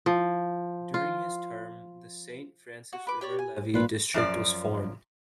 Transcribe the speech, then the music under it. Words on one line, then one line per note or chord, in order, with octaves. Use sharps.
During his term, the Saint Francis River levee district was formed.
F3
F4
F#4
B4 D6
G4 C#5 D5
G#5
A#2 F4 B4
F#2 F3 D5